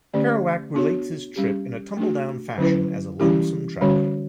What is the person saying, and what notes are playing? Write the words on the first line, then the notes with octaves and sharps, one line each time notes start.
Kerouac relates his trip in a tumbledown fashion as a lonesome traveler.
D3 A3 C#4 G4 D5
B3 D4 F#4 C#5
G3 C#4 G4
A3 D4 F#4
D3 F#3 C#4 E4 B4
E3 G3 C#4 E4 G4
D3 G3 C#4 F#4 C#5